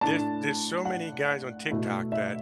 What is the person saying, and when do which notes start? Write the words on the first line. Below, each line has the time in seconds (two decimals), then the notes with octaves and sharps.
There's there's so many guys on TikTok that
0.01 A2 A3 D4 A5
0.85 F#5
1.70 B2 A3 E4
2.12 E5